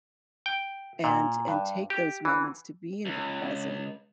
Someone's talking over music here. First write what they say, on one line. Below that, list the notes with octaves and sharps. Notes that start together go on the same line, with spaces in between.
and and take those moments to be in the present,
G5
A#2
G2
G4
E3
C#2